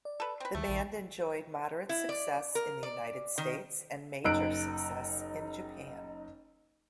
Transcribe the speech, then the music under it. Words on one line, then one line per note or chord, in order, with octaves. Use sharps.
The band enjoyed moderate success in the United States, and major success in Japan.
D5
A4 B4
C4 B4
D2 D#3 G3 A3
A#1 D#3
E4
D5
A#4
D5
D#3
F#1 D#4 E6 F#6 D7